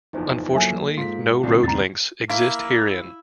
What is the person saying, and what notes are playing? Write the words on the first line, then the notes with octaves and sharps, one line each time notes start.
Unfortunately, no road links exist herein.
F#1 E2 F3 D#4 C5
F#3 A#3 A4 E5 G#5
G#2 F4 B6
C2 A2 D3 C4 C7
E2 A#5 A6
A#3 E4 F5